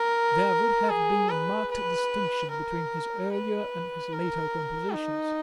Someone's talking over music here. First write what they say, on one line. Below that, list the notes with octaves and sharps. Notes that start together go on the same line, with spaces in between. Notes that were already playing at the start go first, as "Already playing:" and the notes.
There would have been a marked distinction between his earlier and his later compositions.
Already playing: A#4
G#4
B4
B4
A#4
B4
A#4
D#4